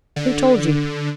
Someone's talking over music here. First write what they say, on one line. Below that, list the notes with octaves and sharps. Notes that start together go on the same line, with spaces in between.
"Who told you?"
D3